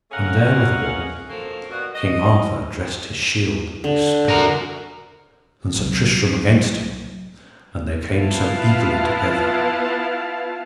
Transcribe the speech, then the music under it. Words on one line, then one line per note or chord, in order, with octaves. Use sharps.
And there withal King Arthur dressed his shield and his spear, and Sir Tristram against him, and they came so eagerly together.
A3 C#4 G#4 A#4 F5 F#5
D#3 F3 A#3 F#4 A4 A#4
B2 G3 A#3 F#4
D#5
D3
F#4 A#4
C2 F#3
B3 E4 F4 F5 A5